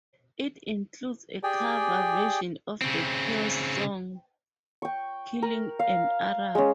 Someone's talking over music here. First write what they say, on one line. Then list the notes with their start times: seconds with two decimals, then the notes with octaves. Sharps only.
It includes a cover version of The Cure's song "Killing an Arab".
1.43 G4 G#4 D5 G5 G#5
2.82 C#3 C4
4.82 G5 C#6
5.42 A#4
5.79 F5
6.55 G#3 C#4